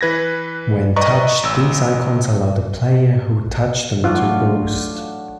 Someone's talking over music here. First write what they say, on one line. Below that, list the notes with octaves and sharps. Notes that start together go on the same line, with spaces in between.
When touched these icons allow the player who touched them to boost.
E3 B4 G#6 A#6
B4 D5 D#5 A#5 C#6
A1 E6
A2 E3 F#3 D4 D#4 F4 F#4